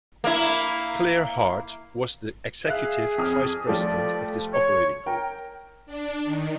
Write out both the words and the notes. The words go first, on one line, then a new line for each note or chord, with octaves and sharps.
Clare Hart was the executive vice president of this operating group.
A#3 E4
G#4 E5 F5 F#6
F2 D#6 F6
F3 G3 A3 D5
C#5
A#4 G5
D4
D#3